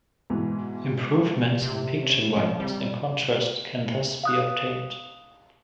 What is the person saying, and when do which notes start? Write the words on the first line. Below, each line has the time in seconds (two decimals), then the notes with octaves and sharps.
Improvements in picture brightness and contrast can thus be obtained.
0.30 G#2 B2 E3
1.62 C3
2.03 C#4
2.36 F3 C#4
2.60 C3 G3
4.24 F5 D#6 F#6